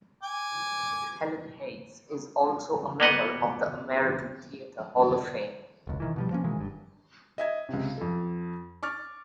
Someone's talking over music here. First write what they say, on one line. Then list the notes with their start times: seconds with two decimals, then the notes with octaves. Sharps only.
Helen Hayes is also a member of the American Theatre Hall of Fame.
0.23 G#5 D6
3.00 A#3 B3 D#5 F#5
5.87 E1 C#2
6.00 C3 D#3 E3
6.16 B2 F3 G3
6.31 F3 A#3 C#4
6.44 B2 D#3 E3 G#3
6.57 G1 G2
7.38 D#5 E5 G#6
7.69 C#2 C3
7.97 F2 A4
8.83 C#6 D6 F6 A6